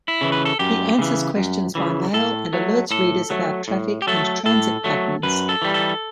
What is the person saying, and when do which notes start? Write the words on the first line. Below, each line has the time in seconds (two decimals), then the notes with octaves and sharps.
He answers questions by mail and alerts readers about traffic and transit patterns.
0.08 E4
0.21 C#3 E3
0.32 B4
0.45 A4
0.59 F#2 G4
0.99 C#3 E3
1.36 F#2
1.75 C#3 E3
2.13 A2 A4
2.53 F#3 A3
2.91 A2 A4
3.30 F#3 A3
3.68 A2
4.02 G4
4.07 F#3 A3 A4
4.46 A2 A4
4.84 F#3 A3
5.23 F#2 B4
5.49 A4
5.62 E3 G3
5.74 A4